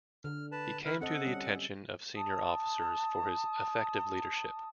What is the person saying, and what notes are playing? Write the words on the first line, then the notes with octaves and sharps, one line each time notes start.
He came to the attention of senior officers for his effective leadership.
D3 F6
B4 A5
E4 A#4 B4
C4 A4 D#5 F#5
G3 C#4
A5 D#6